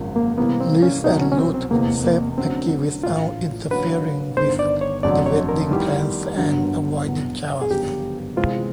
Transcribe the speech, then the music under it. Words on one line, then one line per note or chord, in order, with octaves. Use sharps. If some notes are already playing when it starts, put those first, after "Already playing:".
Reese and Root save Maggie without interfering with the wedding plans and avoiding chaos.
Already playing: G#1 F#2 C#3 F3
A#3
C3 E3 G3 A#3 B3
C4
C#4
C2 B2 F#3 D#4
C#4
C#4
C4
C4
F1 E2 C3 A#3
A#3
F#2 D3 F#3 C4
A#1 A2 E3 F4
D3 F#3 A#3 C#4 B4
G1 G2 D#3 C5
D5
C#5
F1 F2 D3 F#3 D5
C#5
A#4
D#3 G3 B3 E4 G4
G1 G2 D3 F#3
E2 B2 F#3
G#4
G1 F#2 C#3 F3 G4
C3 E3 G#3 C4 F4